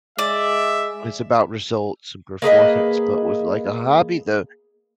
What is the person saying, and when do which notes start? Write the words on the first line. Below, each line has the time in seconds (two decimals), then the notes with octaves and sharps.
it's about results and performance, but with, like, a hobby, though,
0.18 G#3 D5 E5
2.42 A#3 G#4 B4 D#5